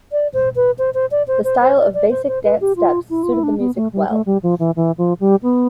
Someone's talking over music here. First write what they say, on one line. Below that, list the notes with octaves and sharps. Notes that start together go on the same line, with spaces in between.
The style of basic dance steps suited the music well.
D5
C5
B4
C5
C5
D5
C5
C5
C5
D5
D5
C5
C5
B4
G4
F4
E4
F4
E4
D4
B3
A3
G3
A3
G3
F3
E3
E3
F3
G3
B3